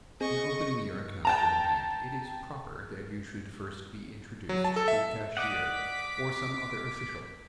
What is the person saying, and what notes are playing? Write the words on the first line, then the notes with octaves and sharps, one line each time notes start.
In opening your account with a bank it is proper that you should first be introduced to the cashier, or some other official.
C4 G#4 D#5 C#6
G5 A5 A#5
F#3
A5
A4
E5
D5 D#5 F#5 D6 B6